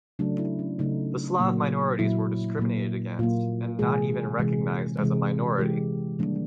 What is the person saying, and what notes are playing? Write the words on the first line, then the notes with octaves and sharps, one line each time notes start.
The slav minorities were discriminated against, and not even recognised as a minority.
C#3 F#3 A3 D4
E4
C#4
C#3 F#3 A3 D#4
A#2 F#3 A#3
A#2 F#3 A#3 E4
A#2 F#3 A#3
A#2 F#3 A#3 F4
C3 E3 G#3 G#4
C3 E3 G#3
C3 E3 G#3
C3 E3 G#3 G4
D#3 G3 A#3 D4